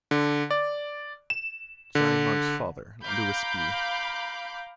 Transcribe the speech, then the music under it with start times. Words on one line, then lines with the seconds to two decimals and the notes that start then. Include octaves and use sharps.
Johnny Marks's father, Louis B.
0.11 D3
0.51 D5
1.30 E7
1.95 D3
3.04 F5 A#5 B5 D6 G6